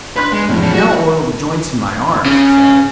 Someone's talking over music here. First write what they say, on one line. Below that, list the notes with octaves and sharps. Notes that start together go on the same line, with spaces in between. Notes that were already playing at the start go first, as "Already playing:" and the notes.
"Now oil the joints in my arms," he said.
D4 B4 C6 F#6
G#3
F1 E2 A2 F3
C#4 A4
F#3 G#3 F#4
A#3 E4
C#3